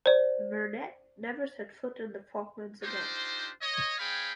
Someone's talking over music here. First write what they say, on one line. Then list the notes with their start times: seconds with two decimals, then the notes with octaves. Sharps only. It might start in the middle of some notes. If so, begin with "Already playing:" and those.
Vernet never set foot in the Falklands again.
0.06 C5 D5
2.82 D4 D#4 F4 G4 C5
3.61 C#5 D#5
3.98 C4 G#4 C#5 F5 G5 B5